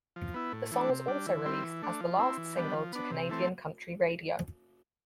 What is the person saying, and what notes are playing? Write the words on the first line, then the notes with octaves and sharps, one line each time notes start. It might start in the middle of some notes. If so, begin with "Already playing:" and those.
The song was also released as the last single to Canadian country radio.
F3
B3 E4
A2
E3 A3 D4
C3
G3 D4
E3
G3 C4 E4
E3
A3 D4
F3
C4 E4
E3
G3 B3 D4
F3
B3 D4
C3
E3 A3 C4